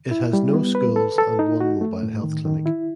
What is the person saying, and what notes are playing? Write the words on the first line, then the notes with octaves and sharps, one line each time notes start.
It has no schools and one mobile health clinic.
E4
G3
B3
B4
A4
A4
D#4
F#4
A3
A2
D#3
D#3
E4